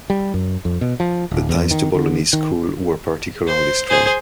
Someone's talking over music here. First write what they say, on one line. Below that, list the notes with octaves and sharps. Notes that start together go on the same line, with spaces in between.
The ties to Bolognese School were particularly strong.
G3
F#2
F2
B2
F3
D1
E2
D#3
D3
D#3
C5
G#4 C5